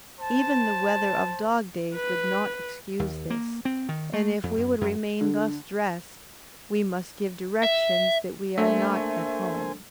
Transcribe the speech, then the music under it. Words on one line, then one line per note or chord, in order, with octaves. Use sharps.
Even the weather of dog-days would not excuse this; and if we would remain thus dressed, we must give directions that we are not at home.
C5 A5
B4
D#2
A#3
C4
D#3
A3
F2
F#2
F#2
D3
E5
A3 A#3 D4 A4 C5 E5 G#5